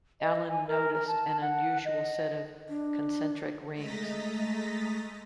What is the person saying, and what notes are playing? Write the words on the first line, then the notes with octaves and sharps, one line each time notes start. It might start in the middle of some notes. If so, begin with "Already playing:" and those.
Allen noticed an unusual set of concentric rings.
D#5
G#5
A#4
A#4
A5
F#5
D#5
D4
G#3 A3 D#5 A#5 A6 B6